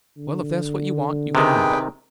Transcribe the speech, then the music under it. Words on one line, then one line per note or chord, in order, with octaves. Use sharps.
Well, if that's what you want, you can have it.
D3
C3 D#3 G#4 B4 G5